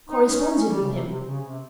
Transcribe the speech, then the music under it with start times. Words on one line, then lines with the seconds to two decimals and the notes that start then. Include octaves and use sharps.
"Corresponded with him?"
0.09 D#4
0.29 C#4
0.41 D#4
0.48 C#4
0.67 G3
0.79 C#3
0.86 C3
1.05 C3
1.25 C#3
1.43 C3